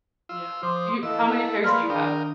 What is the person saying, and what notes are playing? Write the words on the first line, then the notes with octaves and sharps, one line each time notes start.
Yeah. You how many pairs do you have?
F4 E6
F3 C5 C6 D6 D#6
E3 A4 D#5 F5 E6
E4
A#3 G#4 B4 D5 F5 B5 C6 F6
D#3 D4 A#4 G5 D#6